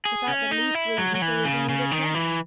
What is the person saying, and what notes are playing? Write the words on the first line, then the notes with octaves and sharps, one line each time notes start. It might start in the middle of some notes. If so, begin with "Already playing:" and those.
Without the least reason for it in either case.
G#4
C#4
D#4
E4
F#3
F#3
E3
C#3
C#3
D#3
E3